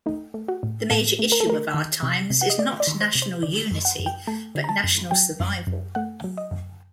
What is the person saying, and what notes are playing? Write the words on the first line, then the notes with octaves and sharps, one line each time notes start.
The major issue of our times is not national unity but national survival.
A3 D#4
A3
F#4
A2
A2 A4
A3
A#4
A4
A3 A#4
D#3
C3
C3
F#5
D#5
A3 D5
D5
D#3
C5
C3
C5
D3 D5
F#2
F#5
F#2
G5
A3 A5
D3
A#5
A5
F#2
F#3 G5
F#2
F#2
A3 F#5
F#3
D#5
F#2